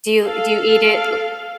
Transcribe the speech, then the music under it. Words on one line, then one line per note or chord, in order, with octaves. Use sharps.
Do you do you eat it l
A4 F5